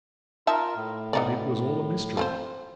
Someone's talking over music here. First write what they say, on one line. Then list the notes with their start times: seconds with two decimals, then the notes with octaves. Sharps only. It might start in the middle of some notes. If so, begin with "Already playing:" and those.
But it was all a mystery.
0.47 D#4 F4 A#4 E5 A5
0.76 A2
1.13 B3 D#4 D5
2.17 F3 C4 C5